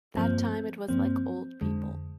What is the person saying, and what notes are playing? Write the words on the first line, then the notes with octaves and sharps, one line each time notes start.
That time it was like old people.
G2 F3 A#3 C4
G2 F3 A#3 C4
F2 D3 G#3